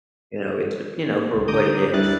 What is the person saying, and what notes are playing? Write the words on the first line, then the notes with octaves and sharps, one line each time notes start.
You know, it you know, for what it is.
A#3
G#1 C#2
D3 A#5 D6 D#6 G6
D2 G3 D4 E4 F#6 A6